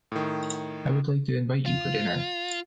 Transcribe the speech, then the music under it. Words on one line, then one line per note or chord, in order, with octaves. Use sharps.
I would like to invite you for dinner.
A2 D#3
F4